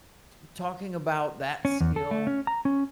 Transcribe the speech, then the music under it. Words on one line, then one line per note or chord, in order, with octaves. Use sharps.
t talking about that skill,
C#4
E2
A4
A3
C#4
A#5
C#4